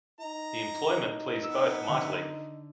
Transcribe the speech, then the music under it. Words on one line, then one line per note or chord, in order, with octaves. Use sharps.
The employment pleased both mightily.
D#4 A#5
B3 E6
D3